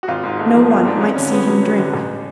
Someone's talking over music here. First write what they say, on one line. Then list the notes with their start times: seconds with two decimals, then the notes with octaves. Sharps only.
No one might see him drink.
0.03 F#4
0.08 G#1 F4
0.24 G#2
0.39 A3
0.54 F3
0.70 G#1 F4
0.85 G#2 D4
1.01 F2 C#4
1.16 D3 C#4
1.31 F2 B3
1.47 F#3 C#4
1.63 F2
1.78 D3
1.94 A1